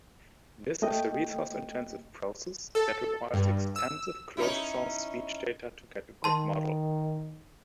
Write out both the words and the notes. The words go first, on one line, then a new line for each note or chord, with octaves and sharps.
This is a resource-intensive process that requires expensive closed-source speech data to get a good model.
A3 A#3 D#5 G5
A4
G2
E6
C#4 D#4 E4
D#3 A5 C6